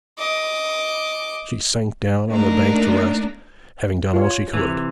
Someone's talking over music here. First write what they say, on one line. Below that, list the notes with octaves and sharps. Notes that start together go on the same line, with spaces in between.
She sank down on the bank to rest, having done all she could.
D#5 D6
A3 A#3 D4 D#4 A#4
F4 C#5
C3 E3